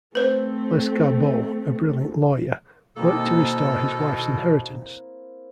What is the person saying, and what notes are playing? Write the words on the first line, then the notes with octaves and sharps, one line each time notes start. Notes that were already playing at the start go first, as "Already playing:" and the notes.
Lescarbot, a brilliant lawyer, worked to restore his wife's inheritance.
A3 C4 B4 C5
B2 D#3 A#3 C4 E4 A4